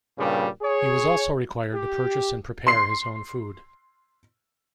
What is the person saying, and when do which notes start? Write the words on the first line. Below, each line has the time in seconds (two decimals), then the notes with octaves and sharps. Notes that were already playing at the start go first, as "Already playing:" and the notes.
He was also required to purchase and prepare his own food.
0.18 G2 A#2 C#3 G3
0.62 G#4 C#5
1.73 G4
2.67 C6 C7